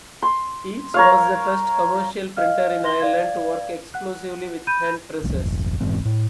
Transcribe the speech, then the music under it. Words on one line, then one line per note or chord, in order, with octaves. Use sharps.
Yeats was the first commercial printer in Ireland to work exclusively with hand presses.
C6
A#4 C#5 F5
D#5 F5 F6
C6 A#6 G7
D5 F5 G#6
F#5 F#6
B5 G6 D#7
F1 C2 F2
F1 A#1
F1 G#2 E3 C4
A2